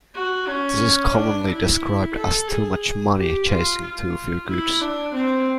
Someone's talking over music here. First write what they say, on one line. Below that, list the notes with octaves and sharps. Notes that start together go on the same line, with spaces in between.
This is commonly described as "too much money chasing too few goods".
F#4
C#4
D4
E4
A4
G#4
G4
F4
F4
E4
D4
C4